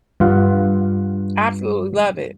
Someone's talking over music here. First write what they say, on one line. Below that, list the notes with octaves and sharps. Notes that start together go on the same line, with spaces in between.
Absolutely love it,
G2 F4 F#5